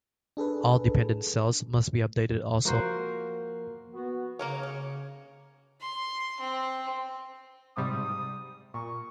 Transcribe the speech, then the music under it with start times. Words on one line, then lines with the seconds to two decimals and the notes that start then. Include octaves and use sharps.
All dependent cells must be updated also.
0.37 D4 G#4 A4 B4
2.65 F3 A#3 F#4 A#4 C5 C7
3.94 B3 F#4
4.39 C#3 A#3 A#4 C#5
4.63 C#5
5.80 C6
6.41 C4
7.77 G#2 C3 G3 D#6
8.74 A#2 C#6